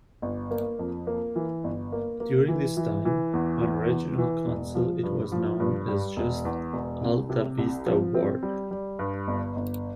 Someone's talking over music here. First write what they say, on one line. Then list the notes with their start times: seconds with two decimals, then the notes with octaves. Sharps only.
During this time, on regional council it was known as just Alta Vista Ward.
0.22 G1
0.51 A#3
0.79 F2
1.07 A#3
1.36 E3
1.64 G1
1.92 A#3
2.20 A#3
2.48 E3
2.77 E3
3.05 E3
3.33 E2
3.62 E3
3.90 E2
4.18 E3
4.47 E1
4.75 F3
5.03 G2
5.32 F3
5.60 G2
5.88 G3
6.16 E1
6.45 E2
6.73 E1
7.01 C2
7.30 C3
7.58 C2
7.86 F3
8.14 C4
8.43 G3
8.71 G3
8.99 G2
9.27 G1
9.56 G1